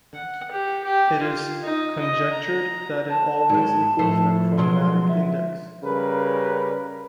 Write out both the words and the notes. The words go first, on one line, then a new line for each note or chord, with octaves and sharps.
It is conjectured that it always equals the chromatic index.
F#5
G4
G4
F4
D#4
D#5
A#5
A5
G#2 F#3 G#3
A2 F3 A3 C5
B2 F#3 G#3 C6
E5
C#3 G3 A#4 B4